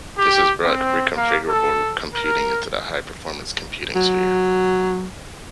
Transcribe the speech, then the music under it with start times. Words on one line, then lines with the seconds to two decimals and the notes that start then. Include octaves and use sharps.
This has brought reconfigurable computing into the high-performance computing sphere.
0.16 G4
0.64 C4
1.15 A#3
1.48 A4
2.13 A#4
3.96 F#3